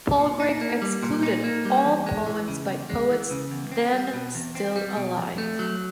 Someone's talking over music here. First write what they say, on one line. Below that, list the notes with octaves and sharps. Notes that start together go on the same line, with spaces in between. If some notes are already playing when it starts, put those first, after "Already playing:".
Palgrave excluded all poems by poets then still alive.
A#2
D#4
A#3
G3
A#2
D#4
A#3
G3
E2
G#3
E3
C#3
E2
G#3
E3
C#3
E2
C4
G3
B2
E2
C4
G3
B2
F2
A3
F#3